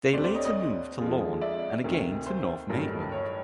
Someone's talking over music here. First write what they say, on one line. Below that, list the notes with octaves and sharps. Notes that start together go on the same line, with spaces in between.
They later moved to Lorn and again to North Maitland.
D2 D3 G3 C4 C5 D5
C5 D5
C#5 D#5
C#5 D#5
F2 D3 F3 G#3
D5 E5
D2 C3 D#3
C5
A1 G2 D#3 F#3 A3
C#5